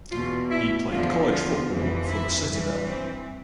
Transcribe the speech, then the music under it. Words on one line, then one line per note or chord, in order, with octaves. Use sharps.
He played college football for The Citadel.
E2 B2 F4
E4
E2 D3 F3 F4
F4
F2 E3
E4
G2 E3
C4